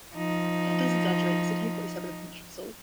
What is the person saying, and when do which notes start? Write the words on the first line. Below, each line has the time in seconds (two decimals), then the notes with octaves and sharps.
Pat does exaggerate so take what he said with a pinch of salt.
0.14 F3 D#4